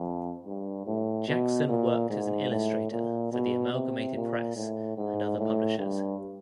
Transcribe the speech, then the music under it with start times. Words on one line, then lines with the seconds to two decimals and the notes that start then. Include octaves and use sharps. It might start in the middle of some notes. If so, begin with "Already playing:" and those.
Jackson worked as an illustrator for the Amelgamated Press and other publishers.
Already playing: F2
0.45 G2
0.86 A2
1.28 B2
1.69 A#2
2.10 G#2
2.51 A2
2.91 A#2
3.32 B2
3.73 C3
4.15 A#2
4.56 A2
4.97 G#2
5.38 A2
5.79 G2